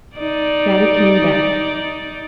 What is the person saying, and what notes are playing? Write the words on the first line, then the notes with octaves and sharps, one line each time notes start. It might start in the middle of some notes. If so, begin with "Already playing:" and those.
Mattie came back.
D#4 D5